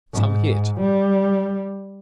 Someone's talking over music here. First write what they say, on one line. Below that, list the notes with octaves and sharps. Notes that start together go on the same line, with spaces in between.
Some hit!
G#2
G3